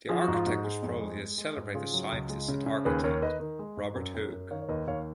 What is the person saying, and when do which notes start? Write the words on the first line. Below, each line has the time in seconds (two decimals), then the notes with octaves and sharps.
The architect was probably the celebrated scientist and architect, Robert Hooke.
0.09 F3 G#4
0.21 F#4
0.28 G#2
0.34 F4
0.46 G#2 D#4 F#4
0.64 G#3
0.83 F2
1.01 G#3
1.19 G#3
1.38 G#3
1.57 G#2
1.74 C#3 F4 G#4
1.93 F#3
2.12 C#2
2.29 G#3
2.48 C#3
2.66 C#3
2.85 D#2 G#4 B4
3.04 D#2 A#4 C#5
3.22 D#3 B4 D#5
3.40 D#3
3.59 G#3
3.77 G#2
3.95 F#2
4.14 F#2
4.32 F#2
4.51 D#3 C#5 F5
4.62 C#5
4.69 D#2 B4 D#5
4.87 D#2 C#5 F5